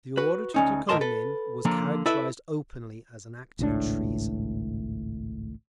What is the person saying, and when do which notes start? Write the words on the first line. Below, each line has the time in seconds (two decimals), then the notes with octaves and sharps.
The order to Dukhonin was characterised openly as an act of treason....
0.17 F#4 B4
0.54 D2 C#4 D#4
0.89 D#2 A2 A#4 D#5 A5 C6
1.01 A4 B4
1.65 D3 F3 A#3
2.06 E4 A4 B4 D5 E5
3.59 G#1 C#2 A2 D4